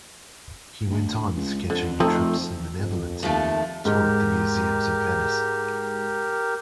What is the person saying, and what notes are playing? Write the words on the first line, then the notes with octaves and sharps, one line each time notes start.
He went on sketching trips in the Netherlands and toured the museums of Venice.
D2
C#2
F2 D3
F3 A3 C4 D#4 A4
F2
D#2 F3 A3
G#2 G4 A#4